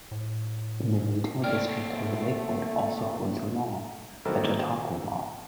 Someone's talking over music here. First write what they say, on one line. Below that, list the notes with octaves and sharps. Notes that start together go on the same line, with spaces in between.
The retail district of Lakewood also holds a mall, the Chautauqua Mall.
A2
A3 A#3 C4 C#5 D5 G5 F6
D#3 F#3 A#3 C4 E4 A4